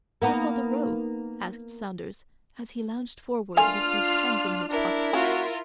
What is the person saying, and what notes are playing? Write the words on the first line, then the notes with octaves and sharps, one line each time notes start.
"What's all the row?" asked Saunders, as he lounged forward with his hands in his pockets.
A#3 B3 D#4
A3 A#3 D4 F4 G#5 F6
D4 E4 A#4
A#3 C#4 F4 F#4